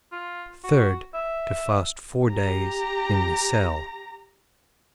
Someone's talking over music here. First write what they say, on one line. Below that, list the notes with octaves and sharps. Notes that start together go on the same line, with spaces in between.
Third.--To fast four days, in the cell.
F4
F#4
E5
G4 A#5